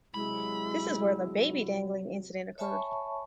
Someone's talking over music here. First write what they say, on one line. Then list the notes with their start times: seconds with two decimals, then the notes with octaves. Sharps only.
This is where the "baby dangling" incident occurred.
0.14 C3 F#3 G#3 E4 B5
2.58 C#5 E5 G#5 A5 B5 C#6